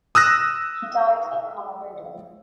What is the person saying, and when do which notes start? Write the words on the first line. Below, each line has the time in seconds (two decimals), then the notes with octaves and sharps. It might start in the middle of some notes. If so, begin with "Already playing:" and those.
He died in Honolulu.
0.15 D#6 E6 F#6 A#6